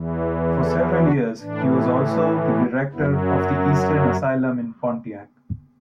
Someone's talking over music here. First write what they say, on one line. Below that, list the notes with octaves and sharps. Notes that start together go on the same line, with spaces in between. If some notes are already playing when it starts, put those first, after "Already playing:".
For several years, he was also the director of the Eastern Asylum in Pontiac.
Already playing: E2 E3
E4 A4
D4 F#4
A2 E3 D4
D4
B3
F#2 F#3 B3 E4